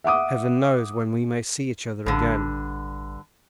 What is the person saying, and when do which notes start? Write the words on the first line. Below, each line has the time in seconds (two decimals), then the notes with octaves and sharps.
Heaven knows when we may see each other again.
0.04 E5 F#5 D6 D#6
2.06 A1 G2 D3